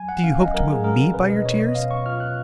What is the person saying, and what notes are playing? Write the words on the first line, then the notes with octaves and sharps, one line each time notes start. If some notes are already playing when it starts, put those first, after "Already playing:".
Do you hope to move me by your tears?
Already playing: F#3 G#5
F#5
C#4 F5
D#5
F#3 A#4
G#4
C#4 A#4
B2 B4
D#5
B2 C#5
D#5
B2 F5
C#6
F4 F6
F#6